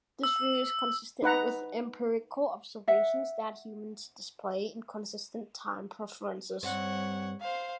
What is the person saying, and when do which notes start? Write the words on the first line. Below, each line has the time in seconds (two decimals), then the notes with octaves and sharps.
This view is consistent with empirical observations that humans display inconsistent time preferences.
0.23 E6
1.22 D#4 B4 F#5 A#5
2.88 E5 F#5
6.63 G2 C4 C#5 F#5
7.41 C5 F5